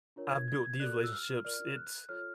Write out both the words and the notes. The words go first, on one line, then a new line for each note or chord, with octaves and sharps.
I've built these relationships, it's
D4 F4 A#4 C#5
G#6
G#6
G#6
F#4 A4 D5 F#6
E6
F6
F4 A#4 D5 F6
F6
F#6
F4 A4 C#5 F6